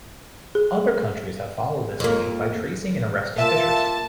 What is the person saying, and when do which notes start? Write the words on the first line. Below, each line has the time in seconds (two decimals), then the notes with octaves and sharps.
Other countries have followed this lead by tracing and arresting phishers.
0.55 G#4
2.00 F2 A#3
3.38 A#3 F4 E5 A5